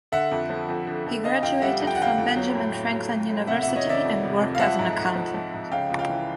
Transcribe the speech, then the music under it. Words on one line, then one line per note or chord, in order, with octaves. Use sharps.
He graduated from Benjamin Franklin University and worked as an accountant.
D3 E5 F#5
F2
F3
F2
D3
F2
D3 D#5 F5
F2 F5 G5
G3 E5 F#5
F2
G5
F#5
D3 F5 G5
F2
F#3
A2
A2
F#3
F#3
A2
C3 E5 F#5
E5 F#5
F2
C#5 D#5
D#3 D5 E5
F2
C3
F2
F5
F3 E5 F#5
G#2
G#2
F3
F3
G#2
C#3 F5 G5
C#2
F5 G5
E3